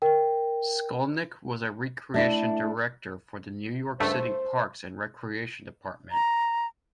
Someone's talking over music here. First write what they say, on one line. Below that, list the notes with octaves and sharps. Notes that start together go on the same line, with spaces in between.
Skolnick was a recreation director for the New York City Parks and Recreation Department.
A#4 G5
A3 D4 E4
C#2 G2 A3 C5
A#5